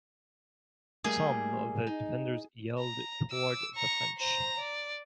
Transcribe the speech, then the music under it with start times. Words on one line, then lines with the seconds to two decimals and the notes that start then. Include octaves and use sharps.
Some of the defenders yelled toward the French.
1.04 G3 A3 A#3 G#4
1.87 D#4
2.79 A#5
3.31 D6 E6
3.74 A#5 C#6
4.17 C5 A#5
4.59 D5